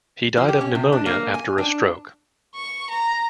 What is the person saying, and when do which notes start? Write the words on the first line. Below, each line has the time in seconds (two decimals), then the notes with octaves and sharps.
He died of pneumonia, after a stroke.
0.37 F3
0.48 G4
0.61 C#4
0.75 C3
0.92 D4
1.06 A#3
1.34 G#5
1.58 D4
2.55 C#6
2.90 A#5